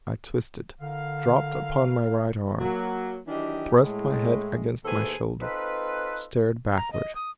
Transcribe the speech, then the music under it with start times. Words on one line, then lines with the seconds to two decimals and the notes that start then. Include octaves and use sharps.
I twisted, dropped upon my right arm, thrust my head against my shoulder, stared backward.
0.81 D3 E4 A#4 F5
2.60 F#3 A#3
3.27 D#3 E3 F#3 D4 G4 D#5
3.82 A2 G#3
4.84 D#2 A2 G#4 A4 B4 C5
5.41 C4 D#4 F4 A4 B4
6.76 A#5
6.93 D#5
7.15 D#6